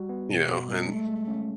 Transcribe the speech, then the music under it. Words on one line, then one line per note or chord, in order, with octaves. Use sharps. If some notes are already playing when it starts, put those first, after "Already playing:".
you know, and
Already playing: G3 F#4
B3
B2
B2
G3
G#3 A3
G#3
C#4